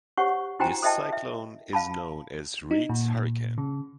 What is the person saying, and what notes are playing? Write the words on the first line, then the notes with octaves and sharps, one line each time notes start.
This cyclone is known as Reid's Hurricane.
G4 C5 C#5 F#5 C#6
E4 F#4 C5 G5 G#5 A#5
A4 C5 D#5 E5 G5 A5
E5
F5 A5 B5
D#4
A#2
C#3